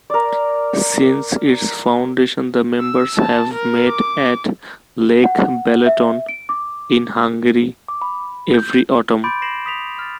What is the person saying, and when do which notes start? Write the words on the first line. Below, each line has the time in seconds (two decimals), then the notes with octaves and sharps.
Since its foundation, the members have met at Lake Balaton, in Hungary, every autumn.
0.10 A#4 D5
2.80 E6
3.16 A5
3.54 A#4
3.89 D6
5.24 F#5
5.86 E5
6.29 D7
6.49 D6
7.88 D6
8.02 B5
8.54 G6
9.24 B5 C6 D6 G6 A6 D7
9.42 A#6 C7 E7 F#7
9.66 D#6 B6 F7
9.99 F6 A6